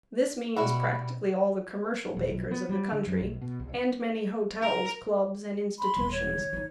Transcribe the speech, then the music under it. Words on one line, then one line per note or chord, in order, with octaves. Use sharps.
This means practically all the commercial bakers of the country, and many hotels, clubs, and institutions.
B2 G3 E4 F#4
D#1
B1
B3
G3
D3
F#2
B1
B2
C2
B3
A#4
B5 C6
D#1 E2
C#5
D#3
D4 D#4